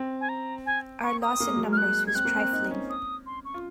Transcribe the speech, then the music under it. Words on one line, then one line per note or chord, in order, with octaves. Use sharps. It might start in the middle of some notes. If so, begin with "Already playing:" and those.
Our loss in numbers was trifling.
Already playing: C4
G#5
A#5
G#5
C#6
D#6
A#3
G#3
F#3
G#3
F6
F#6
G#6
C4 F#6
A#3
C4
D#4
C#4
D#6
C6
C#6
F4